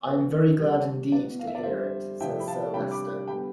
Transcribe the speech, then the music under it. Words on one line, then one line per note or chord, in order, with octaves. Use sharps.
"I am very glad indeed to hear it," says Sir Leicester.
D3 F3 B3 D4 B4
C3 G3 D4
B2 B3 E4 B4 D5
F5
E5
D5
F2 D3 G3 C5 E5
C3 F3 C4 E4 E5 G5
B5
F5 A5
C3 G3 D4 G5 B5
B5 D6
D3 G3 B3 G5 B5